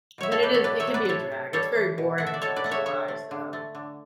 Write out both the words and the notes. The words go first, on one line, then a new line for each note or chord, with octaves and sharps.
but it is it can be a drag, it's very boring in the month of July, so
B2 C#5 E5
A4 C#5
B2 G4 B4
A4 C#5
A3 B4 D5
C#5 E5
F#3
B4 D5
A2 A4 B4 C#5
A2
G3 A4 C#5
E3
B2
A3 F#5
E5
D5
B2 A4 C#5
B4 D5
A3 F#5
C#5 E5
D3 C#5 E5
A3
D3
A3
D3